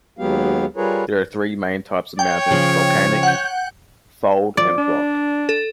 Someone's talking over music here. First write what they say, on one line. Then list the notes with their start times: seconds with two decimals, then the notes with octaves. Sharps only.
There are three main types of mountains: volcanic, fold, and block.
0.19 D#2 F#3 G#3 B3 G4 F5
0.76 G3 F4 G#4 A#4 B4 C#5
2.19 C#5 G5
2.51 C#3 F3
3.23 F#5 G6
4.57 F3 D5
4.78 D4
5.49 A4